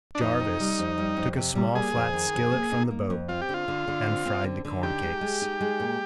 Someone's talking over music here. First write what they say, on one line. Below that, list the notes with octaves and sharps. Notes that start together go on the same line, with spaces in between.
Jarvis took a small flat skillet from the boat and fried the corn cakes.
D4
F2 D#4
C3
G3
F2
G3
F2
C3
G3
A#3 G#4
F2
D#3
F2
A#3
D#4
A#3
F2
C4 F4
G4
D3
F4
D3
D3
C4
C4
D3
D3
D#4 G4
G#3
G#3
D#4
G#3
A#2